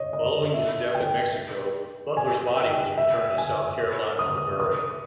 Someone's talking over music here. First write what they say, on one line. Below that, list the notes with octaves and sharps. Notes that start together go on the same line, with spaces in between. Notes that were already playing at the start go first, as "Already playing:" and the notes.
Following his death in Mexico, Butler's body was returned to South Carolina for burial.
Already playing: C#5 D#5
D#5
E5
G5
G#5
G5
E5
G#5
D#6
D#6